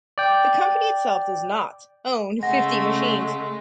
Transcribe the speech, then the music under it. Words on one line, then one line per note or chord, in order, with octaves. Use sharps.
The company itself does "not" own fifty machines.
D5 G5
C#3 G#3 A3 F#5 A#6